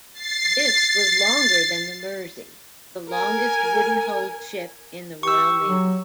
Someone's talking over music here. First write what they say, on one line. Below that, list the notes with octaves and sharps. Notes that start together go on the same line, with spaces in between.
This was longer than the "Mersey", the longest wooden-hulled ship in the Royal Navy.
A6 C7
A#4 G#5
G4 C#6 E6
F#3